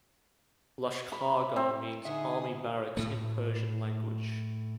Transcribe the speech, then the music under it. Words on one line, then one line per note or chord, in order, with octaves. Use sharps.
Lashkargah means "army barracks" in Persian language.
B5
C4
D3 D#4 G#4 E5 C6 C#6 D#6
A2 A3